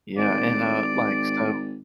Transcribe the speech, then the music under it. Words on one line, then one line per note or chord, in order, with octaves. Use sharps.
Yeah. And, uh like, so
G#1 D5